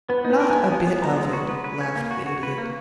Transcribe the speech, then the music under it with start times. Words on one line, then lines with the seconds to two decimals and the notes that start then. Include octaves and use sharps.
"Not a bit of it," laughed the Idiot.
0.09 B3 B4
0.25 D#4
0.30 B4
0.40 A#4
0.51 B3 G#5
0.71 B3 G#5
0.87 B3
1.02 B3 A#5
1.18 G#3
1.33 F#4
1.49 B4
1.64 B4
1.80 C#4
1.96 A#3
2.11 F#4
2.27 F#4
2.43 B4
2.58 A#3